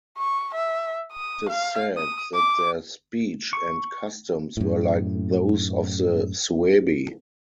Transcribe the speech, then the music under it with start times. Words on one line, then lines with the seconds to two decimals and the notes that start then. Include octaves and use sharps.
It is said that their speech and customs were like those of the Suebi.
0.18 C#6
0.55 E5
1.13 D#6
1.50 F5
1.97 D#6
2.35 D6
3.53 C#6
4.57 F#2 A2